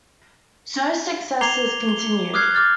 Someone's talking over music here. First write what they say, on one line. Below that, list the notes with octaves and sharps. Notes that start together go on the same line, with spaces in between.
Zuo's successes continued.
A#5 D6 G#6 C7 F7 G7
G7
D6 D#6 F6 F#6 G#6 C7
D6 F6 A6